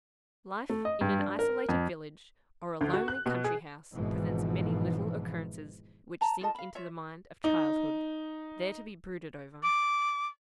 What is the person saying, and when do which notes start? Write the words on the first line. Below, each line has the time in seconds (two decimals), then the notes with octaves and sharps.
Life in an isolated village, or a lonely country-house, presents many little occurrences which sink into the mind of childhood, there to be brooded over.
0.70 A3
0.85 D#5
1.01 G2
1.19 D4
1.39 A#4
1.69 F2
2.81 D2
2.93 F#4
3.08 F#6
3.26 B2
3.44 G#4
3.94 G#1 G#2 B2 E3 F3
6.21 A5 A#5
6.41 F4 A4 D#5 A5
6.55 F5 B5
6.75 F4 C#5 E5
7.44 D#4
9.63 D6